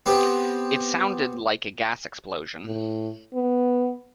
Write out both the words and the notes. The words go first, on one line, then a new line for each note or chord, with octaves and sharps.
It sounded like a gas explosion.
B3 C4 G4
A2
B3